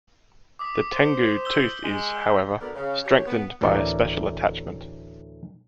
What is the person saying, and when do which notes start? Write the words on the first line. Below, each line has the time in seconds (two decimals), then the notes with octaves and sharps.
The tengu tooth is, however, strengthened by a special attachment.
0.59 D6 D#6 B6
0.93 C5
1.45 E6 G6 G7
1.83 G#3
2.60 D2 D3 B3 D4 A#4
2.74 C#3
3.05 G4 C#5
3.26 B3
3.61 D2 A2 E3 A#4 D5